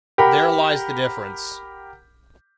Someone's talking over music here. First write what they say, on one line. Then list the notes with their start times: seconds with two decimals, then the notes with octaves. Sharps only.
There lies the difference.
0.18 G4 A#4 F#5 B5